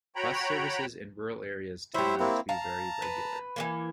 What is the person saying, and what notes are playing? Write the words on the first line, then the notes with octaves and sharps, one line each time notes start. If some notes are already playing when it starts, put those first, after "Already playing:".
Bus services in rural areas tend not to be very regular.
F#4 C#5 G5 A#5 B5
F#3 E4 G4 C5 E5
A#3 C4 E4
F5 A5 A#5
B4
E3 G#3 A#3